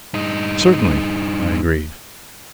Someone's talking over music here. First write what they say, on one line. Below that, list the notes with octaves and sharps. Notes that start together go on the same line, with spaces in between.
"Certainly!" I agreed.
G2 D#4